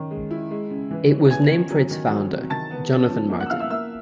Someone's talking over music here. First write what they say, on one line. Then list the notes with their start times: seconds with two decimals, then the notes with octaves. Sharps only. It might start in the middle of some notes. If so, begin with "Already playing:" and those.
It was named for its founder, Jonathan Martin.
Already playing: D#3 C#4
0.11 G#3
0.31 E4
0.51 G#3
0.70 C#3
0.91 E3
1.11 C#4
1.30 B3 G#5 G#6
1.51 D#3
1.71 F#3
1.91 D#3
2.11 F#3
2.30 C3
2.50 D#3 A5 A6
2.71 B3
2.90 C#4
3.10 F3
3.30 A#3
3.40 F#5 F#6
3.46 E6
3.50 E4 F5 F6
3.60 E5 E6
3.70 A#3 E5 E6